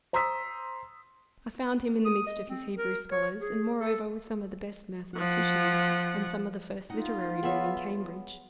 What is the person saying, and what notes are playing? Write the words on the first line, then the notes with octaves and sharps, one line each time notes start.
I found him in the midst of his Hebrew scholars, and moreover with some of the best mathematicians, and some of the first literary men in Cambridge.
C5 A#5 C6 D#6 E6 B6
D#6
D#5
C4
A#4
C#5
G#4
A4
F3 F#5
D#4 F4 F#5
B3 G#4 C#5 E5